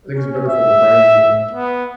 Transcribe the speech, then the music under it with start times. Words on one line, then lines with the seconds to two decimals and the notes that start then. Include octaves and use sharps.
I think it's better for their brains, you know?
0.16 C#4
0.47 E5
1.52 B3